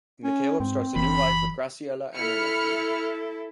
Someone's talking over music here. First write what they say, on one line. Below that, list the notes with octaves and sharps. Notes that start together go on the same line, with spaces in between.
McCaleb starts a new life with Graciella and her nephew.
C#4
G#2 C4
F#1 E3 B5
E4 A4 B5 F6 C#7